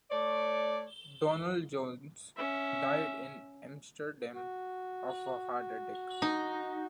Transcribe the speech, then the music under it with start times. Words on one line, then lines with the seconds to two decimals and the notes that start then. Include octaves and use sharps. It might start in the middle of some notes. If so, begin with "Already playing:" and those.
Donald Jones died in Amsterdam of a heart attack.
0.11 A3 C#5 D5
2.37 C#4 E5
4.35 F#4
6.22 D#4